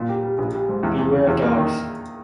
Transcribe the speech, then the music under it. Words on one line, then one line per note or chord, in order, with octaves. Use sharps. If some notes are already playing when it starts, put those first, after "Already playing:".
Beware of dogs.
Already playing: A#2
G4
G3
A#1
G3
G#2
E2
E2
C#3
E2
A#3
D#3